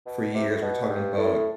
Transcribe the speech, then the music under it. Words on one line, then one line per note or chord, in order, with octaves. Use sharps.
for years, we're talking 'bout
B2
C3
A2
B2
G2
A2